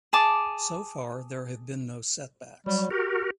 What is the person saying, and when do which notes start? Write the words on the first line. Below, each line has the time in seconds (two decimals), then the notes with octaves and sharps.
So far, there have been no setbacks.
0.13 G#4 A5 D6
2.66 F#3 G3
2.90 F#4 G4 A#4